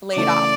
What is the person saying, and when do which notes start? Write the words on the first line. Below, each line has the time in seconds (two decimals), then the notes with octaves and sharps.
laid off.
0.16 C#3 E3 A3 D5